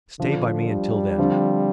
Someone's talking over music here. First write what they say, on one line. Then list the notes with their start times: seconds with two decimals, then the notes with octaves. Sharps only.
Stay by me until then.
0.19 D3 F3 D4 F4
0.68 G3
1.18 D3 F3 C4 F4